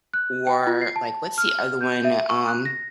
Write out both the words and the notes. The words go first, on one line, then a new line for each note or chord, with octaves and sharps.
or, like What's the other one? Um,
F#6
G5
F4
C7
A5
F6
G6
E5
C#6
F#6
A#6